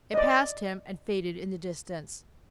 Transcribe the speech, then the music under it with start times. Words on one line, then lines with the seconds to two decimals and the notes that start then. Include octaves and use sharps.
It passed him and faded in the distance.
0.14 D5 D#5